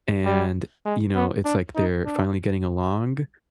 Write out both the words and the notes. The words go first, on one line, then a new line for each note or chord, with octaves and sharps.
and, you know, it's like they're finally getting along,
G3
G#3
B3
D4
D#4
D4